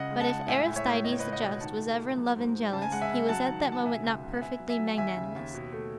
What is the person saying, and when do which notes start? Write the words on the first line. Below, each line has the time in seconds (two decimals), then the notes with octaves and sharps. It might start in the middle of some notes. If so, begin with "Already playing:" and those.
But if Aristides the Just was ever in love and jealous, he was at that moment not perfectly magnanimous.
Already playing: C#2 C#3 D#5 F#5
0.11 G#3
0.21 F#5 A5
0.30 G#3
0.48 A2 E5 G#5
0.67 A2
0.76 C#5 E5
0.86 A2
1.04 C#2 D#5
1.12 C#5
1.19 C#2 B4 D#5
1.32 D#5 F#5
1.42 B2
1.60 D#3 F#5 A5
1.79 A3
1.98 A3
2.17 F#3
2.36 G#2
2.54 G#2
2.72 C#3 A5
2.82 G#5
2.92 G#3 F#5
3.01 E5 G#5
3.10 C#3
3.29 F#3 F#5 A5
3.47 D#3
3.66 D#3
3.72 A5
3.85 B2 E5 G#5
4.03 C#2
4.23 C#2
4.33 F#5
4.41 B3 E5 G#5
4.59 F#3
4.69 E5 G#5
4.79 F#3
4.97 D#2 E5 G#5
5.16 C#3
5.35 D#2
5.54 B2
5.72 A3